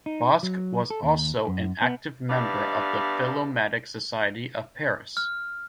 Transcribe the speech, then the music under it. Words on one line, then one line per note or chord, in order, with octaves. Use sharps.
Bosc was also an active member of the Philomatic Society of Paris.
D#4
F#3
A4
D#2
F#2
B3
G2 B3 D5 E5 F5
F6